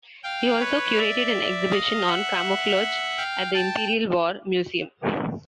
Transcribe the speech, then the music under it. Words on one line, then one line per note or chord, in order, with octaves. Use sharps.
He also curated an exhibition on camouflage at the Imperial War Museum.
F5 G5
B4 C#5
D5 E5
D#5 F5
E5 F#5
F5 G5
G5 A5